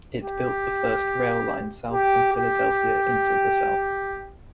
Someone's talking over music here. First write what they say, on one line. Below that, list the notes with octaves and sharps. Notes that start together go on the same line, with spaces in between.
It built the first rail line south from Philadelphia into The South.
G4
G4
G4